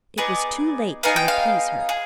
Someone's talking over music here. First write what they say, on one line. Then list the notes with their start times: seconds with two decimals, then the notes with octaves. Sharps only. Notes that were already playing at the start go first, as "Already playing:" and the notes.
It was too late to appease her.
0.18 B3 D#4 G#4 D5
1.03 B3 D#4 G#4 F5
1.16 G5
1.28 F5
1.89 G#4